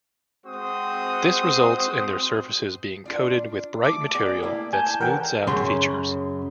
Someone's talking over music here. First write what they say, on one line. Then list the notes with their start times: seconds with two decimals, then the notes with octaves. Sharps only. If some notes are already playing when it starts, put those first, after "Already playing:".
This results in their surfaces being coated with bright material that smooths out features.
0.46 G#3 C4 F#4 C5 D#6
3.05 D4 F4 D5
3.84 A3 D6
4.14 B3 G#4 D5 D6
4.42 A3 A#3 E4 G5
4.73 G#5 A5 G6
5.00 E3 G4 A4 A#4 C#5 F#5 G5
5.47 F#2 C#3 C6